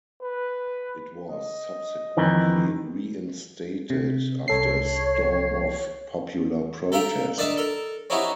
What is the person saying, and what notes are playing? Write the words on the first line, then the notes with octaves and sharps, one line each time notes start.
It was subsequently reinstated, after a storm of popular protest.
B4
D#5
F2 D#3 E3
C3
C2 A4 C#5 C7
A4 A#4 E5 F5 G5
D#3 D4 D5 E5 A5
A4 A#4
C4 C#4 D#4 E4 F#4 G4